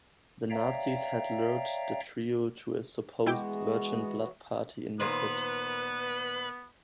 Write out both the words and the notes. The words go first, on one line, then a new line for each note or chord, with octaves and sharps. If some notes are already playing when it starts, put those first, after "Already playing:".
The Nazis had lured the trio to a supposed virgin-blood party in Madrid.
C#5 D5 E5 F5 G5 A#5
E3 G#3 B3 E4 F#4 G5 D6
A#2 D#3 B3 B4 C5